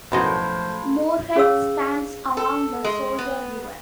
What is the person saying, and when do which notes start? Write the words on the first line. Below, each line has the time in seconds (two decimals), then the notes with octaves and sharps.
Moorhead stands along the Soldier River.
0.12 B1 F#2 A2 F3 A#3 D#5 B5 C6
1.35 C#4 G#4 C#5 F5 E6
2.37 A4
2.84 G#3
3.18 B3